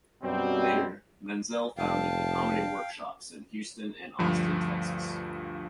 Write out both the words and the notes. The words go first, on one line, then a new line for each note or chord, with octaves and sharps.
Later, Menzel founded the Comedy Workshops in Houston and Austin, Texas.
F#2 B2 G3 C4
F1 F5 G5 A5
D2 G2 F3